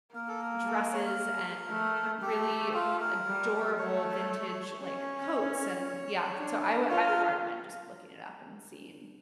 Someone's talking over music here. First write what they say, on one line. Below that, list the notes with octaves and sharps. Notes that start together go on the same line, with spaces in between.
dresses and really adorable vintage, like, coats, and yeah so, I would I would recommend just looking it up and seeing,
A#3 A#4
A4
A#4
A4
C#5
A#4
A3
A3 G4
F4
A#4
G3
A3 C#5
C#4 C#5
D4
F4 C#5
A#4